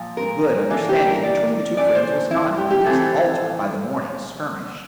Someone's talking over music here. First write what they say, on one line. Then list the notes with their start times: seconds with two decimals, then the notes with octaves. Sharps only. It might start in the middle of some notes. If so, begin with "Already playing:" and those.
The good understanding between the two friends was not in the least altered by the morning's skirmish.
Already playing: A#2 F3
0.17 A#4
0.70 E3 A#3 D4 A4
0.89 G4
1.06 A#4
1.23 D5
1.77 E3 A3 D4 D5
1.95 C5
2.31 E4
2.57 G4
2.70 G4
2.84 A2 E3 A3 C4 A4